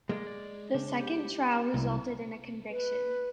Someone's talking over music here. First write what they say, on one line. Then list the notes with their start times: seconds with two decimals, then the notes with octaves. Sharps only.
The second trial resulted in a conviction.
0.09 G#3 A#3 A#4 D5
0.27 D5
0.74 C#3 D4
1.00 G4
1.74 C2 F#3 A#3 E4
2.70 B4